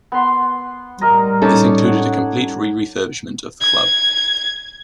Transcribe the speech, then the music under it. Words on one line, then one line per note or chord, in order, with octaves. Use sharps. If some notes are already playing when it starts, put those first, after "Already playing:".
This included a complete re-refurbishment of the club.
B3 C6
A2 G3 A#4 D#5 A#5
C#4 D#4 A4 C#5 A5 D6
F#5
G#6